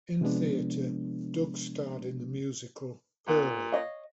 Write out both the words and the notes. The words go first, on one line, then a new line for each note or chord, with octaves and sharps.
In theater, Doug starred in the musical "Purlie".
C3 F3 G#3 B3 D4
A#2 B3
C#5 D#5 F5